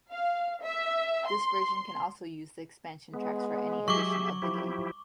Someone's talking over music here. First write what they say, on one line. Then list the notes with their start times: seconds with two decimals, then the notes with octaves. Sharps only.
This version can also use the expansion tracks for any edition of the game.
0.12 F5
0.63 E5
1.28 C6
3.14 G#3 B3
3.88 F#3 G4 G#4 E5 C#6 D6
4.42 F3 E4 G4